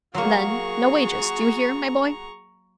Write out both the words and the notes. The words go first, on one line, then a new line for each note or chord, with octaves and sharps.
And then, no wages, do you hear, my boy?
F#3 A#3 F#4 G#4 A#5 C#6